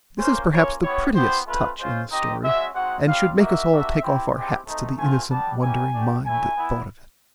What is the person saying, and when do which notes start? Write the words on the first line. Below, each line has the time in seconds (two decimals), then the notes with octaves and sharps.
This is perhaps the prettiest touch in the story and should make us all take off our hats to the innocent wondering mind that thought of it.
0.18 A#3 C#4 F4 C5
0.51 A#3 C#4 F4 C#5
0.82 B3 E4 G4 C#5
1.14 B3 E4 G4 C5
1.46 A3 C4 F4 B4
1.78 G#3 C#4 F4 C5
2.10 C4 D#4 G4 D#5
2.42 G#3 C#4 F#4 E5
2.74 G#3 C4 D#4 F#4 F#5
3.06 G3 C4 F4 F5
3.37 A#3 D#4 F#4 E5
3.69 G3 A#3 D4 F#4
4.02 C4 E4 G4
4.34 G#3 C4 E4 G4
4.66 A3 C4 D#4
4.97 A3 C4 F4 G#5
5.29 G3 B3 D4 G4 A5
5.61 A#3 C#4 E4 G4 G#5
5.93 A3 D4 G4
6.24 A3 C#4 E4 G#5
6.56 B3 E4